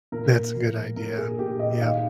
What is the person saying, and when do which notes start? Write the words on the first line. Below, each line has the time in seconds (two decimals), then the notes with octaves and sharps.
That's a good idea. Yep.
0.12 A#2 A#4
0.54 F3
0.96 A#2 A#4
1.18 G#4
1.39 A#2 G4
1.59 D#5
1.71 D#5
1.81 D#3 F5